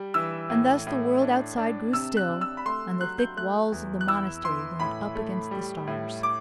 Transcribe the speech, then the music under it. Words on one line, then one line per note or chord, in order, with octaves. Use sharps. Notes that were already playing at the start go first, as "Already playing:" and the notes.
And thus the world outside grew still, and the thick walls of the Monastery loomed up against the stars.
Already playing: G3
E3 E6
A2
A2
D4
D4
C3 E6
F#6
C3
E6
B5
A3 C6
F#3 F#6
G6
A3 F#6
E2
F#6
E4 E6
E3 C6
A2 B5
A3
G3
A2
D6